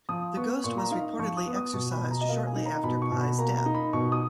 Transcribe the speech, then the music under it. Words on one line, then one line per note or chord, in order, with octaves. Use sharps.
The ghost was reportedly exorcised shortly after Pye's death.
F3 D#6
B3 C#6
A#2 C#6
A#5
D#4 F5
F3 C#6
D#6
B3
D#6
B2 C#6
B5
B2
A#5
D#5
A#3 F5
G#5
D#4
A#5
B2 B5
C#6
B2
B5
A#3 A#5
A#5
D#4
B5
B2 C#6
D#6